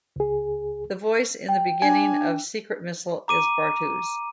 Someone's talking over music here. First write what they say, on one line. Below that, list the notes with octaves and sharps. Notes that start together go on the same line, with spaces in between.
The voice in the beginning of "Secret Missile" is Bartu's.
C#2 G#4
G5
D4 G#5
A#5 D6 D#7